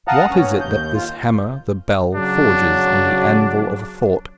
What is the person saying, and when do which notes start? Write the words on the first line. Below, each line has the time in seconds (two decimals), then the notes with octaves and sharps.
What is it that this hammer, the bell, forges on the anvil of thought?
0.08 F5 F#5 A5 A#5 D#6
0.30 G2 C#4
0.61 D#2 G6
0.94 F4
2.15 C#3 F#3 D4